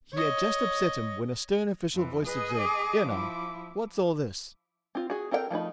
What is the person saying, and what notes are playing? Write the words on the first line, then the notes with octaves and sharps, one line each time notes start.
He had just upset him, when a stern official voice observed, ''Ere, now, what's all this?'
C#5 D#5
F2 E3
G#4 B4 D#5
D6
F3 E4
C4 F4
F#4 G#4
C4 A4 A#4 E5 G5
F3 A3 D#4 B5